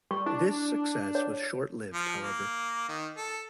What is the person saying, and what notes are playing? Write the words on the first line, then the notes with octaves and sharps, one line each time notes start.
This success was short-lived, however.
G3 C#6
D4 E4
C#5
F3
A#3
D#3
A4